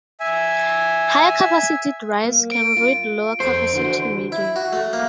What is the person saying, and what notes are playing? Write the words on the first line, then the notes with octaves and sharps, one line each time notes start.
Higher-capacity drives can read lower-capacity media.
E5 G#5
A#3
D7
F4
F2 A4 C5
D3 E3 F#4
E4
F#4
A3
A#3